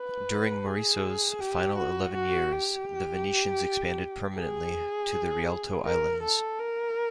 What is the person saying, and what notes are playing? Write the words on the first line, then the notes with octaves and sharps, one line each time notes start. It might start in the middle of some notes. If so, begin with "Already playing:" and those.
During Maurizio's final eleven years, the Venetians expanded permanently to the Rialto islands.
Already playing: B4
G#4
G4
F#4
F#4
G4
G#4
A#4
A4
A#4